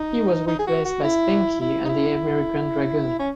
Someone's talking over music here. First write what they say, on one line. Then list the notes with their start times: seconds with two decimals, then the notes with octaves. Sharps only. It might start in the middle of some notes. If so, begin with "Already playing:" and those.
He was replaced by Spanky and The American Dragon.
Already playing: D#4
0.47 D#4
0.59 G#4
0.67 F#4
0.85 F#4
1.04 E4
1.61 E4
1.85 D#4
1.89 E4
3.19 C#4